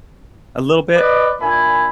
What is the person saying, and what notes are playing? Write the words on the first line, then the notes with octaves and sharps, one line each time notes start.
a little bit?
B4 D5 D#5
A#2 D4 E5 G#5 B5